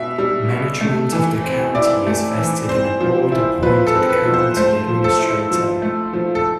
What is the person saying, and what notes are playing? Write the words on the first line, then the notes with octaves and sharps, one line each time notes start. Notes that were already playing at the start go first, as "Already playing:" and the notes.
Management of the County is vested in a Board-appointed County Administrator.
Already playing: B2 E5
G3
B2
A3
E3
C4
E4 D5
A3
E3
C4 C5
F3
E4
F3 B4
A4
C4
B4
F3
C5
A3 C5
F3
A4
E4
F3
A3
F3
A4